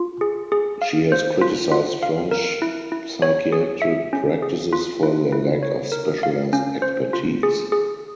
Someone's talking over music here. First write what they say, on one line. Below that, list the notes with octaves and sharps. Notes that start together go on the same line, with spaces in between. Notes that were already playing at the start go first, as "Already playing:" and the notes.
She has criticized French psychiatric practices for their lack of specialized expertise.
Already playing: F4
G#4
G#4
F5
C5
F4
F4
F5
A#4
E4
E4
C#5
G#4
E5
C#4
G#4
F4
E4
E4
C#5
A#4
F5
C#4
C5
F4
G#4
G#4